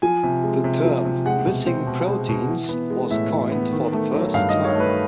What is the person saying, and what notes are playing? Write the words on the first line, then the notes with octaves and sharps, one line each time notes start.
The term ‘Missing Proteins’ was coined for the first time.
F3 G#5
C3
G#3
C3
F3
C3
G#3 F#5
B2
C4
B2
G#3
B2
E3
B3
G#3
A2 E5
E3
B3
D#3
A3
F#3
G2 F5
D#5
D#3
C#5
A3
B4